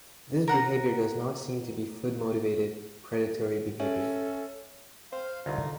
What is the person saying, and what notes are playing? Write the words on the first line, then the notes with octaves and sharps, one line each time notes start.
This behavior does not seem to be "food-motivated predatory behavior".
A#4 F#5 A#5
C#4 A4 C#5 E5 G#5
C5 F5
C2 D3 D#4 F4